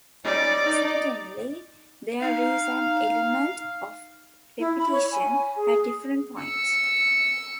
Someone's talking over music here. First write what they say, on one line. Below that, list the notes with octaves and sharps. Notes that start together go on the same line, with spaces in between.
Certainly there is an element of repetition at different points.
G3 C#4 D#4 D5
D#4
D#4 F5
E4
B5
C#5
G#5
G#4
E6 C#7